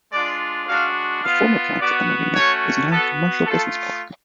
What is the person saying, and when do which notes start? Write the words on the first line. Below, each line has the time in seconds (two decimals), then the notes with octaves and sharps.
The former plant at the Marina is now a commercial business park.
0.12 G#3 D4 F4 D5
0.68 G#3 D4 F#4 F5
1.24 B3 F4 F5
1.79 B3 F#4 D5
2.36 A3 C#4 F#4 C#5
2.91 B3 F#4 A4
3.47 A3 F4 A4